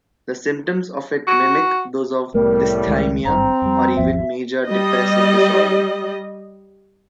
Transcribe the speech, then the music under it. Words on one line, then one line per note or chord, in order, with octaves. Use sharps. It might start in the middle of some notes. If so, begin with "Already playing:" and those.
The symptoms of it mimic those of dysthymia or even major depressive disorder.
F#4
C2 A2 G3 A3 B3 A#4
C#2 D#3 G#3
G#1 G2 C4 A#5
F2 G3
G#1 E2 F3 E5
G3 D#5